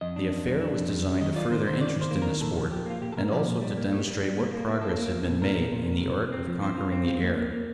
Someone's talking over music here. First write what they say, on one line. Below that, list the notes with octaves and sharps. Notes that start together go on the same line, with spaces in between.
The affair was designed to further interest in the sport, and also to demonstrate what progress had been made in the art of conquering the air.
F2 D#5
D4
F2
G3
D4
F2
G3
F2
D#3 D#5
F4 D5
D#3 C5
D#3 C5
D#3 D5
D#3
C5
A#3
A#4
D#3
A#2 A4
F3
F3 G4
A#3 F4
A#2 G4
A4
A#2 A#4
F3 D5
A#2
G3
A#3
G3
G3
G3
A#3
A#3
A#3
A#3 A4
A#3
F3
A#2
A#2 A#4
A#2
A#2
A#2
C3
C3
C4
F3
C4 C5
F4
C4
F4
A#3
A#3
A#3